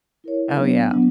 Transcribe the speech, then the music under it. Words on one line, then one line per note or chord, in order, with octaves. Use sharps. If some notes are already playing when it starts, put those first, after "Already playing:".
Oh, yeah.
E4 A#4 C#5
F#3 B3 D4
F#3 B3 D4